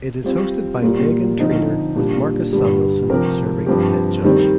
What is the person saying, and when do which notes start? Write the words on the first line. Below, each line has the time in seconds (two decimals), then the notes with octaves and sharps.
It is hosted by Meghan Trainor with Marcus Samuelsson serving as head judge.
0.24 G3 C4 F4
0.82 A#2 G3 A#3
1.38 D3 F3 C4 D#4
1.96 A#2 G3 D4
2.53 G2 D3 G3
3.09 C3 F3 C4 G4 A#4
3.66 G2 F3 C4 G4
4.24 D#3 G3 C4